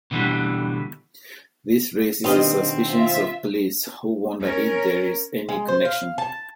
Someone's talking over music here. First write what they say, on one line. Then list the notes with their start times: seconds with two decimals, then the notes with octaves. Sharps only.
This raises the suspicions of police, who wonder if there is any connection.
0.11 B2 D3 E3 G3
2.24 B2 D#3 C4 D4 G4 B4 D#5 F5
2.90 F4 E5
4.41 C#4 A#4
5.49 G#3
5.68 C5
5.85 F5
6.18 A5